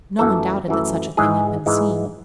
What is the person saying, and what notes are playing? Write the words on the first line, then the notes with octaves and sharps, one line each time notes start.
No one doubted that such a thing had been seen.
F#2 E3 A3 A4
F#2 E3 A3
G#2 E3 G#3 G#4
G#2 E3 G#3